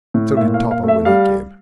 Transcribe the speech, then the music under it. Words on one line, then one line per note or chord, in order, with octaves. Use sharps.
So did Topper when he came.
A2
A#2 E5
F5
A#2
F5
A3
E5
G3 F5